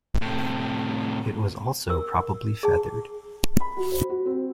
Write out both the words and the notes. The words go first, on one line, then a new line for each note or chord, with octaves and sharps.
It was also probably feathered.
A2 C3
A#4 E6
G#4 A5
B5
F#4
C5
F#4
C4